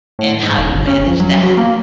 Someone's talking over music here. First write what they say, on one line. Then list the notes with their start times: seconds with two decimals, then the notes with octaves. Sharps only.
and how you manage that,
0.19 A2
0.43 G#2
0.58 E1
0.74 G1
0.87 C#4
1.06 F2
1.20 F#3
1.43 F#3
1.57 A#3